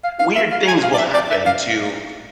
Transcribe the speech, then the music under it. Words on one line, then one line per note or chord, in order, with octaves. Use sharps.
weird things will happen to
F5
F5
E5
F5
G#5
F5
D5
E5
D5
D5
E5
F5